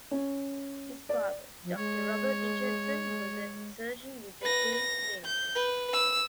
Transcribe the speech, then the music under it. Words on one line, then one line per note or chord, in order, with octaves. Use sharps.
His father Doctor Robert Richardson was a surgeon with the Queen's Rangers.
C#4
D5
F3
G#3 C#5
B4 A#6
A#6
G6
B4
E6